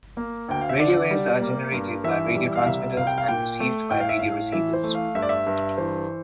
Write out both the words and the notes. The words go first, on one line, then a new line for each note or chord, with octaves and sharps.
Radio waves are generated by radio transmitters and received by radio receivers.
A#3
D2 G5
F5
E5
D3 D5
G3
A#3
G2
E3 E5
G3
F5
C2 E5
C2 F5
G5
F5
A#2 G5
A3
A2 G5
F5
E5
A2 F5
E3 E5
C5
A3
F5
G2 E5
D5
E5
G2
E3 C5